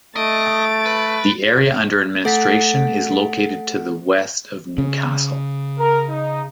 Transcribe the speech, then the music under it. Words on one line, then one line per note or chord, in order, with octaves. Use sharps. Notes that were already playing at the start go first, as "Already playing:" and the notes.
The area under administration is located to the west of Newcastle.
A3 D#5 A6 D7
B4
A3 A4 F#5 A6 B6 D7
C#3
A#4
D#4